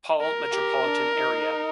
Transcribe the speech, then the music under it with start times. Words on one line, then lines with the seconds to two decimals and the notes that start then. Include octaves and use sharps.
Paul metropolitan area.
0.21 A#4
0.52 G4
0.84 D4
1.16 D#4